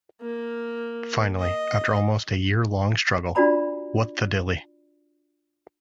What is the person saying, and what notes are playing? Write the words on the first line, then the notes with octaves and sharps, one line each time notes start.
Finally, after almost a year-long struggle, Whutthadilly?
A#3
D#5
D4 F4 F#4 D5 A#5 B5